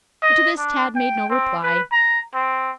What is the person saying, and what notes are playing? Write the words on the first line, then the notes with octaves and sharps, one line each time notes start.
But to this Tad made no reply.
D#5
D4
G5
C4
B4
A#5
C4